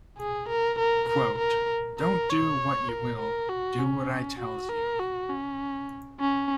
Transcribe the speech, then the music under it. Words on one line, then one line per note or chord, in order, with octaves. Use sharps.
Quote: Don't do what you will, do what I tells you.
G#4
A#4
A#4
A#4
A#4
A#4
C#5
A#4
A#4
F#4
C#4
F#4
A#4
F#4
C#4
C#4